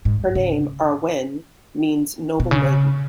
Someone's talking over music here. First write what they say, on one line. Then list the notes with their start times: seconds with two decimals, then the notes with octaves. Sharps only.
Her name "Ar-wen" means 'noble maiden'.
0.05 G#2
0.35 C#3
2.40 B2
2.51 C#3